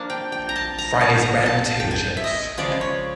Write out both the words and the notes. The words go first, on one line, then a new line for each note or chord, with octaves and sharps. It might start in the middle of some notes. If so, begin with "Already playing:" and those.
Friday's brand potato chips.
Already playing: F3 A#3 D4 A5
G5
G5
A#5
A5
A#5
A5
A#5
A5
A5
G5
G#5
E5
D#5
C#3 F3 G#3 D5
C#5